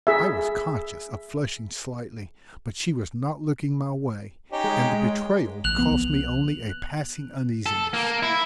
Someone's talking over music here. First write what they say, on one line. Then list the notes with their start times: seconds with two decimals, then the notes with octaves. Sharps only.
I was conscious of flushing slightly, but she was not looking my way, and the betrayal cost me only a passing uneasiness.
0.07 G#4 E5
4.52 C#4 D#4 G4
4.64 G#3
5.64 A1 F#6 F7 F#7
5.78 C2 F3 B3
7.66 A4
7.94 A#3
8.23 E4